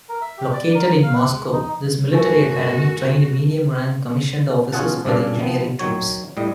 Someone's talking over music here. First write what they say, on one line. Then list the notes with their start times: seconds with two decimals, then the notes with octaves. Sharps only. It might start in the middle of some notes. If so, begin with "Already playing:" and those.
Located in Moscow, this military academy trained medium-rank commissioned officers for the Engineering Troops.
0.09 A#4
0.22 E5
0.38 G4
0.53 D5
0.75 A#4
0.88 A#5
1.03 F5
1.16 F#6
1.32 G#3
1.53 D#4
2.12 G2 C#3 A3 F#4 A#4 G#5 A6
4.73 B2 C#4 F4 G#4 F#5 A5
5.05 G2 A#2 C#3 D4 A5
5.39 D#3 F3 B3
5.79 D#3 F#3 C#5
6.37 A2 G3 D#5